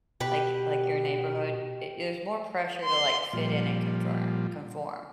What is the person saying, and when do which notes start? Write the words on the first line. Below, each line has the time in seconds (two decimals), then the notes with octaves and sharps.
like like your neighborhood, i there's more pressure to, like, fit in and confir conform.
0.20 B2 G4 B4
2.85 C6
3.33 A#2 F3 G3